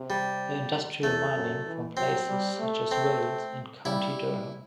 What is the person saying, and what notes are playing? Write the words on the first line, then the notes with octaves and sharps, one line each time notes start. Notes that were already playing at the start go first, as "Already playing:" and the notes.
The Industrial mining from places such as Wales and County Durham.
Already playing: C3
G3
E2 A3
F#2
E3
F#3 C4
G3
A3
C4
G3 E4
G3